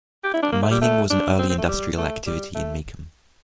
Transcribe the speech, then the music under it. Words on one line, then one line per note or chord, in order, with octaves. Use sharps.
Mining was an early industrial activity in Macomb.
G4
E4
D4
A#3
A3
G3
A3
D4
C4
C4
A3
G3
A3
G3
A3